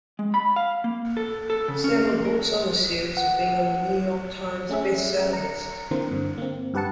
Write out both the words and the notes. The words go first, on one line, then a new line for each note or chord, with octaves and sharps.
Several books on the series have been on the "New York Times" bestseller list.
G#3
B5
F5
A#3
A4
A4
C#3
C#4
A#3
A#4
F#5
A3 C#4 G#4 E5
A#5 C#7
D3 E3 A#3 C4 A#4 C5
G2 D3
A#3 C4
G2 G4 B4 F#5 A5 C#7